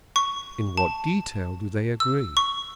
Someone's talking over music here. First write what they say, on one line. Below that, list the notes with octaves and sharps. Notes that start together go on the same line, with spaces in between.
In what details do they agree?
C#6
A5
E6
C#6